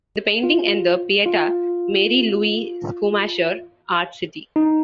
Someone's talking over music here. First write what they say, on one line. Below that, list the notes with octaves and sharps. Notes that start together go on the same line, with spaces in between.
The painting and the Pieta - Mary Louise Schumacher: Art City.
F4
F4
D#4